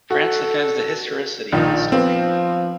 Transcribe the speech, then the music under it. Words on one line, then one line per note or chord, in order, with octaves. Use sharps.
France defends the historicity of this story.
F#4 A4
A#1 A#2 D#3 D#4
F3 B3 C4